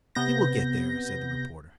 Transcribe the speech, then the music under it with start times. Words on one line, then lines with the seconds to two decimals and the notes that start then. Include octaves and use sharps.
"He will get there!" said the reporter.
0.15 C3 B3 G6 A#6